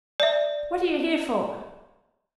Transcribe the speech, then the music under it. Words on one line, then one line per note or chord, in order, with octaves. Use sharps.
"What are you here for?"
D5 E5